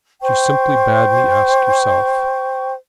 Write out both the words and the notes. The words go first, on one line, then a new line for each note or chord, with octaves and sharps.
She simply bade me ask yourself.
C5 G5 C#6